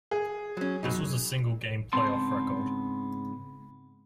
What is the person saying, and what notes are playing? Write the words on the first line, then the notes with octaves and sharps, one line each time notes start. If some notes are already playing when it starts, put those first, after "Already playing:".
This was a single game playoff record.
G#4
F#3 C#4
F#2 B2 D#4
G#2 C#3 B3 C4 A5 C6